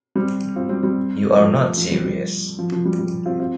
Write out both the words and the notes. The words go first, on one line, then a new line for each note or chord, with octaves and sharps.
You are not serious.
G3 C4
C4 F4
G3 C4
G3 C4
F3 A3
F3
G3
G3
F3
F3
G3
G3
C4 F4
C4 F4